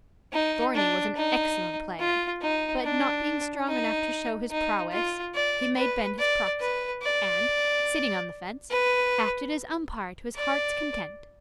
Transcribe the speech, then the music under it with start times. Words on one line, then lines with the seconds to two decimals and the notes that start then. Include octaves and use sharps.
Thorny was an excellent player, but, not being strong enough to show his prowess, he made Ben his proxy; and, sitting on the fence, acted as umpire to his heart's content.
0.32 D#4
0.74 D4
1.16 D#4
2.00 F4
2.41 D#4
2.83 D4
3.67 D#4
4.51 D#4
4.92 F4
5.35 D5
5.76 B4
6.19 D5
6.60 B4
7.02 D5
8.70 B4
10.37 D5